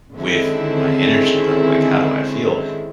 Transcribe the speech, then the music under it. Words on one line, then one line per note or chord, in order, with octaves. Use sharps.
with my energy level. Like, how do I feel?
D3 D#3 G#3 C4 C#4 E4